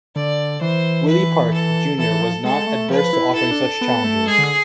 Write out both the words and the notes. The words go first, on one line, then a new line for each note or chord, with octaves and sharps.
Willie Park, Junior was not adverse to offering such challenges.
D3 D5
E3 C5
B4
A4
E3 A4
E3
F3
G#3 A4
A3
F3 B4
E4
E4 A4
D4
B3
A3
G#3 G#4
D3